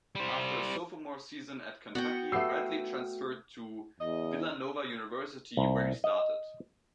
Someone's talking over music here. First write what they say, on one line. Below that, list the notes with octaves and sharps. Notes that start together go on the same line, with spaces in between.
After his sophomore season at Kentucky, Bradley transferred to Villanova University where he started.
G3 C5
B3 F#4 F#5 G5
A3 B3 G4 E6 C7
E2 D#5
C2
D#5